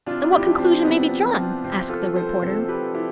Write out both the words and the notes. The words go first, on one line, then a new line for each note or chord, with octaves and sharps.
"Then what conclusion may be drawn?" asked the reporter.
C3 D4 F4
E4 G4
F3
C4
C3 B3
F3
C3 C4
F4 A4
F3
A4 C5
C3 A4 C5
G4 B4
F3
E4 G4